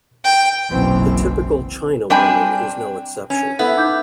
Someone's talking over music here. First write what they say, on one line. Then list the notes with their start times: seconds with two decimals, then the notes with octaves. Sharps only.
The "typical" "china" woman is no exception.
0.25 G5
0.70 F#1 B1 F#2 B2 E3 C4
2.10 G3 C4 D4 G5 G#5
3.30 C#4
3.59 B3 E4 A4
3.77 D#4 D6 G6